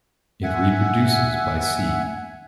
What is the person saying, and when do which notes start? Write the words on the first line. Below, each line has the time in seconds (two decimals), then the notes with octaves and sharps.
It reproduces by seed.
0.43 E5 F#5 G#5